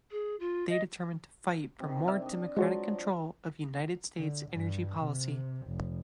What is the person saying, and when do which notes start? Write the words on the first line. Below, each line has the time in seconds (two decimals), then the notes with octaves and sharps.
They determined to fight for more democratic control of United States energy policy.
0.11 G#4
0.40 F4
0.69 D#5
1.80 C3 D#3
2.08 D5 E5 F6
2.22 D4 D#5
2.57 F3 F#3 G#3 F#4 C#5
4.17 D3
4.50 G2
4.99 C3
5.68 F1